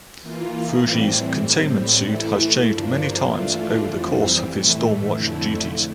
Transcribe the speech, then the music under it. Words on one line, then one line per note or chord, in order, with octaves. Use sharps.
Fuji's containment suit has changed many times over the course of his Stormwatch duties.
E3 A#3 F4
A2 E3 G3 C4
A2 G3 C4
E3 A3 E4
G2 F3 A#3 D4
E3 A3 D4 F4
F2 E3 G3 C4
A2 E3 A3
F2 D3 A3 E4